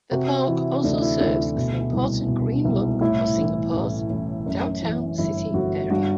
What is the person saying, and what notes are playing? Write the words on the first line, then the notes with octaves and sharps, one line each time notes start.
The park also serves as an important green lung for Singapore's downtown city area.
C3 F#4
E3 E4
D2 D4
E4
D2 E4
E4
B2
C2
B2
C2
A2 E4
E3
A1
A1
F#2
E3
G1 E4
G1 F#4
G2 F#4